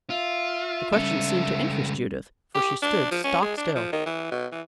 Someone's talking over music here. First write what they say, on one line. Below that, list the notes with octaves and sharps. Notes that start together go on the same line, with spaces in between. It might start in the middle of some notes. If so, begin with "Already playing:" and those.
The question seemed to interest Judith, for she stood stock still.
F4 E5
C#2 G3 C#4 A4
G4
D4
F3
C#4
G#3
D4
F3
D#3
E3
B2
E3